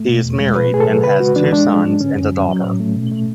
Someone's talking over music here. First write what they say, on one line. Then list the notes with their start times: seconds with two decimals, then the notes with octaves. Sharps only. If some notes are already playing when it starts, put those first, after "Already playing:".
He is married and has two sons and a daughter.
Already playing: A3
0.09 B2
0.24 E2
0.40 G#3
0.56 B2 B4
0.72 A3 G#4
0.80 A4
0.88 F#3
1.04 C#3 B4
1.20 G#3 F#4
1.36 E3 D4
1.52 G#3 D4
1.68 G#3
1.84 G#2
2.00 D3 C#4
2.16 F#2
2.31 F#3
2.48 F#3
2.64 A2
2.80 A3
2.95 B2
3.11 A3